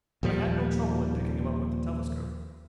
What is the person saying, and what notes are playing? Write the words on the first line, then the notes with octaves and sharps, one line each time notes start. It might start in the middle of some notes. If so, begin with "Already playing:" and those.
I had no trouble in picking him up with the telescope.
D#2 A#2 F3 G3